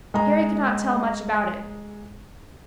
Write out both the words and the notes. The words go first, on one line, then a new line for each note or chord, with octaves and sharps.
Harry could not tell much about it.
G#3 D#5 A#5